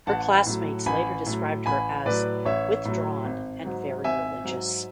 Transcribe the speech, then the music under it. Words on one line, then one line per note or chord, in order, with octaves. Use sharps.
Her classmates later described her as "withdrawn and very religious".
A1 F#5 A5
A2 F#3
A1 G#5 B5
A2 F#3
A1 G#5 B5
A2 F#3 B4 D5
A1 C#5 E5
A2 F#3
G#1
G#2 F#3
G#1 E5 G#5
G#2 F#3